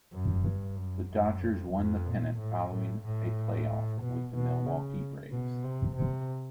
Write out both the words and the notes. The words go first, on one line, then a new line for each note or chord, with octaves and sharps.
The Dodgers won the pennant following a playoff with the Milwaukee Braves.
F#2
G2
F#2
F#2
F2
F2
A#2
A2
A2
A2
B2
B2
C#3
B2
C3
C3